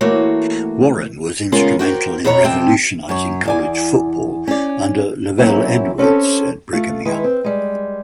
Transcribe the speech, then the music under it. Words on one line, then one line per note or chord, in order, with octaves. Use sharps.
Warren was instrumental in revolutionizing college football under LaVell Edwards at Brigham Young.
E3 A3 A#3 F#4 C#5
C#3 G#3 B3 C#4 F4 A#4
F#4 G4 A#4 C5
F2 B2 B3 C#5 A#5
F2 C3 C4 G5 A5
F#2 C#5
E2 D5 G#5
C#4 D5
F#3 A#3 C4 C#4 E4 F#4
C4 C#4 E4 G4 A4
A3 F4
D#3 G#3 E4 B4
C4
G3 G#3